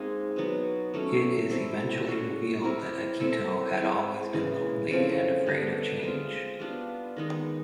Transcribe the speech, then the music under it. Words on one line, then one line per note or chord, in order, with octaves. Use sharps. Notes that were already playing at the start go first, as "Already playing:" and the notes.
It is eventually revealed that Akito had always been lonely and afraid of change.
Already playing: G#3 A#3 C4 D#4 G#4
B2 F#3 B3
F#3 A3 C#4
G3 C4 E4 A4
C#4 F#4 A4
C4 E4 G4 A#4
C4 E4 A4
G#3 C4 E4
C#3 E3 G#3
C#3 F3 A3 C4
D3 G3 B3
G#3 C4 F4
G3 B3 D4 F4
D#3 G#3 B3 D#4